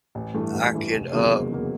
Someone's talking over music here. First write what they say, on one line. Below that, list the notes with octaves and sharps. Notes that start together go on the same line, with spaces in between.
I could, uh,
A1
G2 E3 A3
A1
G2 E3 A3
F1
E2 C#3 F#3 A#3
F1
E2 C#3 F#3 A#3